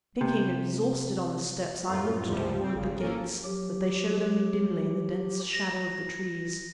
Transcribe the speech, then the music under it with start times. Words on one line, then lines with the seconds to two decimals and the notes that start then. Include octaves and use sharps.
Sinking exhausted on the steps, I looked toward the gates--but they showed only dimly in the dense shadows of the trees.
0.21 C3
1.86 F#2 A2 B3 F4
2.28 C#2 G2 C3 F3 G3
2.61 C4
2.74 G#1 C#3
2.99 A#3 C#4 A4 A#4
3.44 F#3 G4
5.53 A#6